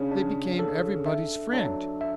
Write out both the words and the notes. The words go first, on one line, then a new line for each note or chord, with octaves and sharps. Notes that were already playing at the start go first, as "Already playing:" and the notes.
They became everybody's friend.
Already playing: C#3 D4
D4
A4
E5
F#3 D4
E5